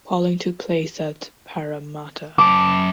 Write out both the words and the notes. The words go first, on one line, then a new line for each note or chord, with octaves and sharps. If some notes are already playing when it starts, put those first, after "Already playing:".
Polling took place at Parramatta.
F#2 A5 D6